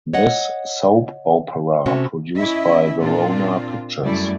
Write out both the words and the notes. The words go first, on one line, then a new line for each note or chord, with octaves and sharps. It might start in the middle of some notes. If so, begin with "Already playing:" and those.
This soap opera produced by Verona Pictures.
C#5 D#5 F#5
C3 A3 C#4 F#4
C#4 E4 D#5 E5
A#2 C4 D4 F4
F#2 G3 A3 E4 D5